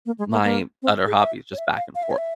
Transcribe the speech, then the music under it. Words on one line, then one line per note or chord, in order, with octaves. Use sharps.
my other hobbies, just back and forth.
A#3
G#3
A#3
A#3
C4
G#4
E5
C#5
E5
F5
F5
E5
C#5
E5